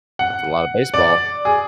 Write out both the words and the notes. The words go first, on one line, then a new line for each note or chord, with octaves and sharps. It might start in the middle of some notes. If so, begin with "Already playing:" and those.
That's a lotta baseball.
F#5
D5
G#4